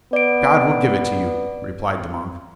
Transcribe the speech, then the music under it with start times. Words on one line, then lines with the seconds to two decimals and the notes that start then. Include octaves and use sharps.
"God will give it to you," replied the monk.
0.13 B3 D5 D7